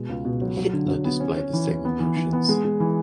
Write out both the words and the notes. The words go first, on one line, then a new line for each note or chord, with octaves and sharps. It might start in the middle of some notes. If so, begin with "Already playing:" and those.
Hitler displayed the same emotions.
Already playing: B2 G#3
C#2
B2
F#3
F#3
D3
F#3
B3
C#4
C#4
E3
E3
B3
E3
E3
B3
G#3
G#3
E3